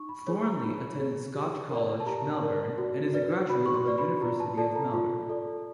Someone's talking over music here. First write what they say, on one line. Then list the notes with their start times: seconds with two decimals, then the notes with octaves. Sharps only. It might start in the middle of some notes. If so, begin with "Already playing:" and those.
Thornley attended Scotch College, Melbourne and is a graduate of the University of Melbourne.
Already playing: D#4 C#6
0.09 B5
0.27 G#4 C#5 B5
0.45 A#5
0.63 D#4 B5
0.99 G#4 C#5
1.34 G4
1.70 A#4 D5
2.00 A5
2.06 G4 A#5
2.42 A#4 D5
2.78 F#4
3.14 B4 D5
3.50 F#4 B5
3.66 C#6
3.74 C6
3.86 B4 D5
3.98 B5
4.22 F4 A#5
4.40 A5
4.57 A4 D5 A5
4.76 A#5
4.94 F4
5.29 A4 D5